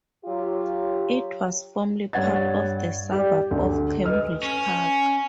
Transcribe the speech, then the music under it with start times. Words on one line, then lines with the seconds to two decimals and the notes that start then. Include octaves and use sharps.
It was formerly part of the suburb of Cambridge Park.
0.24 F#3 F4 G4
2.13 G2 C#5 F#5 G#6 A6
3.12 G4 D5
3.51 D2
4.05 B4 D#5 F6
4.43 C#4